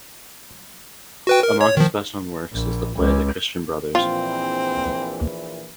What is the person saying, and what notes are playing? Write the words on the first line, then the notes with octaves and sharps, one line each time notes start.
Among his best known works is the play "The Christian Brothers".
F#4 B4 G5
A#4
C#5
D#3 F3
A#1
C#2
A#1 A#2 E3 C4 F4